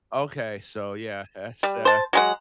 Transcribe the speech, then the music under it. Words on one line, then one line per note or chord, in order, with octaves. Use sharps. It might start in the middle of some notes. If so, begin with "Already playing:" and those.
Okay, so, yeah, that's, uh
G3
C5 A5
F#3 G#3 F#5